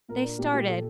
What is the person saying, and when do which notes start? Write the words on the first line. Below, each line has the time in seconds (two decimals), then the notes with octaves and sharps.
They started.
0.09 A#2 A#4
0.23 D4
0.39 A#2 G4
0.54 A#2 G4
0.68 A4